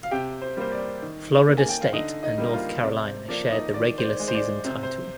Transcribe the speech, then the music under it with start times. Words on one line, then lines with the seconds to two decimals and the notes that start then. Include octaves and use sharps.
Florida State and North Carolina shared the regular season title.
0.03 F5
0.11 C3 G4 G5
0.42 C5
0.57 G3 A#3 C5
0.72 D5
1.02 D#3
1.48 A#3
1.58 G#5
1.69 G5
1.81 F5
1.93 D3 D#4 D#5
2.23 D#4 D#5
2.38 G3 A#3
2.49 D#5
2.53 F4 F5
2.83 C3 D5
3.06 C5
3.28 F3 A#3 D5
3.52 D#4 D#5
3.74 D#3 D5
3.98 C5
4.04 D5
4.20 G#3
4.28 C5
4.35 D5
4.65 C3 C5
4.83 C5